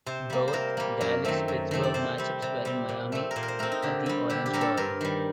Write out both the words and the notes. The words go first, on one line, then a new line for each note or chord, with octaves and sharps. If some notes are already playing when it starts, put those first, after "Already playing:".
Both Dallas-Pittsburgh matchups were in Miami at the Orange Bowl.
C3 C5
G3 A#3
C5
C3 A#4
G3 A#3
F#2 A#4
D#3 A3 C4
F#2
D#3 A3 C4
D5
C3 C5
G3 C4
C3
G3 C4
A#2
A3 C4
A#4
A#2 C5
A#4
C5
A3 C4 A#4
D#4
D3 G4
G3 C4
D3 G4
G4
G3 C4 A#4
A4
G2 A#4
D#3 G3